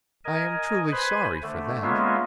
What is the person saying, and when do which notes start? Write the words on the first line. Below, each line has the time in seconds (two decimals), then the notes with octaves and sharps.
"I am truly sorry for that."
0.25 A#4 D#5 G#5
0.92 B4 C5 G#5 B5
1.43 D3 A3
1.82 G#3 A#3 B3 C#4 F4 E5